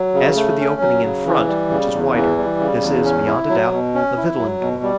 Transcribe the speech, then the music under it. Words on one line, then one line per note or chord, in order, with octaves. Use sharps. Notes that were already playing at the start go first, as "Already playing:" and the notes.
As for the opening in front, which is wider, this is, beyond a doubt, a victualling-door.
Already playing: F#3
C#3
A3
C#4
F#3
C#3
E3
G3
C#3
E2
E3
G3
C#3
E2
C#4
E4
F#3
B2
C#4
E4
F#3
B2
G3